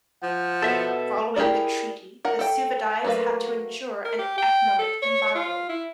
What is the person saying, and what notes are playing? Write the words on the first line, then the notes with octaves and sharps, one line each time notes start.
Following that treaty the Suvadives had to endure an economic embargo.
F3 F#5
B2 B3 A4 E5
E4 G4 G#4 A#4 D5
A#4 F#5
A4 G5
F#3 A3 A#3 B4 F5
A#4
G4
G5
A4
C#5
C#5
F4
E4